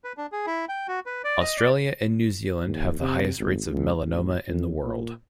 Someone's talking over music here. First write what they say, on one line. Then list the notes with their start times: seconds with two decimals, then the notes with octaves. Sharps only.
Australia and New Zealand have the highest rates of melanoma in the world.
0.04 B4
0.17 D4
0.32 G#4
0.47 E4
0.69 G5
0.88 F#4
1.06 B4
1.24 D5
1.40 D#5
1.58 D5
2.65 D#2
2.99 C3
3.37 G#1
3.68 C#2
4.04 A1
4.49 F2
4.82 A#2